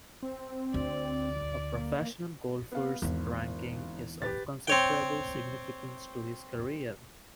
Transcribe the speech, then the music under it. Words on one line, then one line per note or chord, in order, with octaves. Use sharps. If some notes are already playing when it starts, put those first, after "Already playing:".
A professional golfer's ranking is of considerable significance to his career.
C4
D2 D5
A#3
B3 F5
G#1 E2 D3
G4 B4 A6
C4 C#5 G5